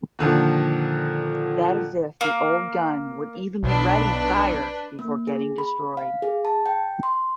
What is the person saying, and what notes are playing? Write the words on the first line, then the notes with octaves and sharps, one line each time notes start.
That is if the old gun would even be ready fire before getting destroyed.
A#2 D3 D#3 F3
A#3
B1 D4 B4
A#3
G#4
B5
F5
G#4
A5
G5
C6